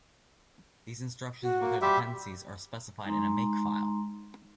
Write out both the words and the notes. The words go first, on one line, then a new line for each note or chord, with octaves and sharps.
These instructions with their dependencies are specified in a "makefile".
F#4
A#3
G3 G4 E5 C6
G#3 D#4 A#5 C6